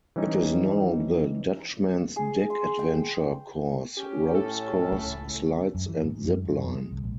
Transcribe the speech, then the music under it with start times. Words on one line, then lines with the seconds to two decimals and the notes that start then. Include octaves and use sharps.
It is now the "Dutchman's Deck Adventure Course" ropes course, slides and zip line.
0.16 E3 G3 C#4 D#4
2.16 G#4
2.50 C6
2.79 G5
3.97 C#4 G4
4.34 A2 A4
4.92 C#2 A3
5.75 F#2
5.89 E3
6.04 G#2
6.24 F#2
6.46 F#2
6.64 F2
6.75 G#3
6.91 C2
7.04 A#1